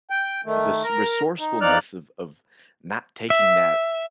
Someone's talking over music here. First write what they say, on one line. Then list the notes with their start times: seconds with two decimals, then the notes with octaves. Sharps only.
the s resourcefulness of of not taking that,
0.10 G5
0.46 D#3 A3
0.84 A#4 A#5
1.39 D#4
1.61 F2 F3 D#4 D5 F6 F#6
3.30 E5